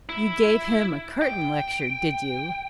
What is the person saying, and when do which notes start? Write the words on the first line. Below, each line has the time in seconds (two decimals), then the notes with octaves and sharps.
'You gave him a curtain lecture, did you?'
0.09 E4
1.22 G5